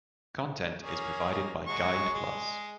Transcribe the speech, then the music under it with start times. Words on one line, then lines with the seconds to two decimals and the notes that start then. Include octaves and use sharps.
Content is provided by Guide Plus.
0.82 A#3 C#4 G#4
1.67 F#3 G#3 C#6
2.14 G#3